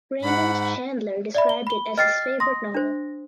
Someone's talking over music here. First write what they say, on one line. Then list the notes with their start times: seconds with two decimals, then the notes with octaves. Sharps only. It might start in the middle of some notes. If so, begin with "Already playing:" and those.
Raymond Chandler described it as his favourite novel.
0.22 G#2 F#5 B5
1.35 D5 E5 B5
1.49 G7
1.67 B5 G7
1.98 D#5 G5 D6 F6 A6 C7
2.40 C6 D#6 A#6
2.74 D4 C5